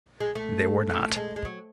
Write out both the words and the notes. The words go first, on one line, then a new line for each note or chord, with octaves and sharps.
They were not.
G#3
A3
A3
G#3
G#3
F#3